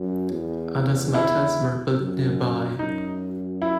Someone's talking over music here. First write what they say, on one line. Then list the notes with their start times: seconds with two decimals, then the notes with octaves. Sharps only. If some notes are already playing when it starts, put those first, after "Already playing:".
Other smelters were built nearby.
Already playing: F#2
0.31 E2
1.14 E4
1.97 F#2
2.79 F#2 D#4
3.62 E4